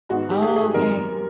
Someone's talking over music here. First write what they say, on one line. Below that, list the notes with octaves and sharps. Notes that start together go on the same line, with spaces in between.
Oh, okay.
G#2 D#3 G#3 B3 D#4 F#4
G4
G#4
G4
G#4
F#2 D#3 G3 C4 A#4